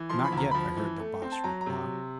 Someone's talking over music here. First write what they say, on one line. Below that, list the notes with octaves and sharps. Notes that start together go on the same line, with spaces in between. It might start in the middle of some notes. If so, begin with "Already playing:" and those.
"Not yet," I heard the Boss reply.
Already playing: E3
F3 C6
B5
D2
A#5
F3 B5
E3
A3
C4
A5
F#3 A#5
A#5
C3